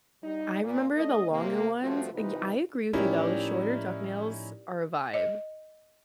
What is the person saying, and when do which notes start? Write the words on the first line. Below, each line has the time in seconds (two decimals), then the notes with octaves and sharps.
I remember the longer ones y I agree with you, though, the shorter duck nails are a vibe.
0.23 G3 D#4
0.63 A#2
0.96 A3 D4 D#5
1.30 C3 A#3
1.82 G2 F3 A3 C4 F#4
2.13 C3 E3 D#4 F4 B4
2.93 A2 F3 C#4 D#4 E4 G4 A#4 D5
5.14 D#5